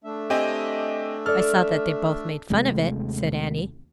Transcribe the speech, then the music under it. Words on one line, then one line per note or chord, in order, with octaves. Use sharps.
"I saw that they both made fun of it," said Annie.
A3 D4 E5
C4 G4 D#5 G#5
A4 D5 F6
D#2 C3 G#3 A3